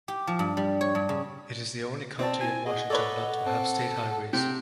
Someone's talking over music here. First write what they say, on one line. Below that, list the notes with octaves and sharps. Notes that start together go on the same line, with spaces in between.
It is the only county in Washington not to have state highways.
G4
F3
G2
G3
C#5
G2
C#3
C4 D5 A5
E4 G#5
G#4 D#5 F#5
A4 B4 C#5 D5
C4 A4
C3 G5